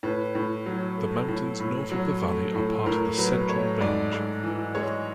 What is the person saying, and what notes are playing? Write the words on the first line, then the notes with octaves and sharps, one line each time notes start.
The mountains north of the valley are part of the Central Range.
A2 B4
A2
F#3
A3
A2
A2
F#3
A3
A2
A2 A#4
F#3 B4
A3 C#5
G#2 D5
G#2
E3
G#3 C#5